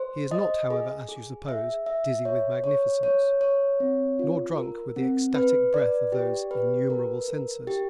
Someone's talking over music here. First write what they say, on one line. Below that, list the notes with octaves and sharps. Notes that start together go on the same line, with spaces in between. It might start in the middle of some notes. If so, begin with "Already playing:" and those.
He is not, however, as you suppose, dizzy with magnificence, nor drunk with the ecstatic breath of those innumerable censers.
Already playing: C5
D#5
G#4
G#4
E5
E5
C#5
C#5
C#5
C#5
C4
F4
A#4
C4
B4
D5
G4
B4
A#4
A#4
G4